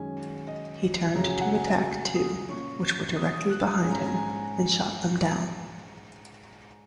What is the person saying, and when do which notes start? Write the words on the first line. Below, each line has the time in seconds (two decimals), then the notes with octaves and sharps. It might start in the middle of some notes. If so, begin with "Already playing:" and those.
He turned to attack two, which were directly behind him, and shot them down.
Already playing: F#2 D#3 G#3 C#4 G#5
0.47 D#5
1.15 F#2 C#3 F#3 A#5
1.28 G#5
1.41 F#5
1.55 G#5
2.15 D#6
2.49 A#2 A#3 C#4 C#6
3.16 D#6
3.33 D#6
3.50 F#6
3.67 D#6
3.83 G#2 G#3 C#4 G#5
3.91 A#5
3.99 G#5
4.06 A#5
4.14 G#5